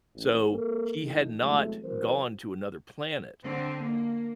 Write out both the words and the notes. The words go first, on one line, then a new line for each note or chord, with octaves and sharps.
So, he had not gone to another planet.
A1
A#3 A4 A#4
B1 G2 E3 D#4 A4
E2 C3 F#3 G#3 A3
E3 F#3 C4 A#4 C5
D3 C4
A#3